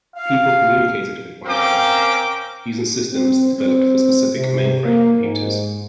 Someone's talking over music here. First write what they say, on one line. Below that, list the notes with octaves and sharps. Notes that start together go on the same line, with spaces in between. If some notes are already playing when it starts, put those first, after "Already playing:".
People communicated with one another using systems developed for specific mainframe computers.
F5
C4 C#4 A#4 F5 G5 D6
C4
C4
C3
A#3
G#2